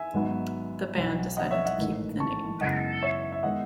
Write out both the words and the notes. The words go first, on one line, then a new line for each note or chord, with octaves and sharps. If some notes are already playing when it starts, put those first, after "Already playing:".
The band decided to keep the name.
Already playing: E5 G#5
G#1 G#2 F#3 B3
B1 B2 F#3
D#5 F#5
C#5 E5
D#5 F#5
A1 G#2 D#3 A3
A5 C#6
F#2 C#3 E3 G#3 B3 D#5 F#5
C#5 E5
E5
D#3 G#3 B3 D#5 F#5